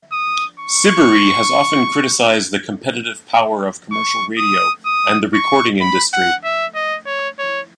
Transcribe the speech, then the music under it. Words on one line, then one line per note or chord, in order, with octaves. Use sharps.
Siberry has often criticized the competitive power of commercial radio and the recording industry.
D#6
C#6
C#6
D#6
D#6
C#6
B5
F#5
E5
D#5
C#5
C#5